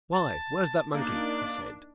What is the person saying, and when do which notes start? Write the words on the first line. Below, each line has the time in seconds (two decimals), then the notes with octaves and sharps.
"Why, where's that monkey?" he said.
0.14 A5
0.94 A#3 D4 D#4 D5